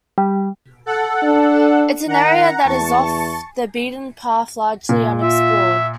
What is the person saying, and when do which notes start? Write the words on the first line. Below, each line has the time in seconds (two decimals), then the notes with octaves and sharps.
It's an area that is off the beaten path- largely unexplored.
0.18 G3
0.86 A4 F#5
1.23 D4
2.07 D#3 F#5 A#5
2.66 E2 A5 C#6
4.89 A#2
5.22 F4 E5